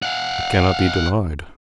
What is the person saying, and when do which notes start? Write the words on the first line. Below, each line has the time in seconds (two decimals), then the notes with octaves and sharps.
'It cannot be denied.'
0.02 F5 F#5